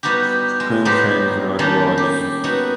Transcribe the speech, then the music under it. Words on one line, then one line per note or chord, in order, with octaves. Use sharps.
Croome trained as an archaeologist.
G3 B3 D#4 F#4 G4
G#3
F#3 G3 B3 C4 D#4 G4
D#3 G3 A#3 C#4 D4
G4
B3 D#4 E4 F#4